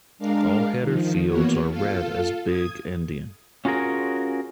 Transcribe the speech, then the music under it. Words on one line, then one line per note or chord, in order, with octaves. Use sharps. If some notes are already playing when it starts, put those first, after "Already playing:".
All header fields are read as big-endian.
G#3 D4 A#4 F5
D#3 F3
E3 A#3 B3 F#4 C#5
F4 A4 F5
D#6 G#6
C#4 F4 F#4 G#4 A#4